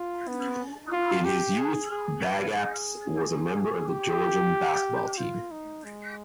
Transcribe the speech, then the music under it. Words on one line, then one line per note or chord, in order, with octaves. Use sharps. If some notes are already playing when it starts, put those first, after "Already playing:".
In his youth, Bagapsh was a member of the Georgian basketball team.
Already playing: F4
B3
F4
G4
G#4
G#4
B4
G#4
G4
F4
D#4
G#3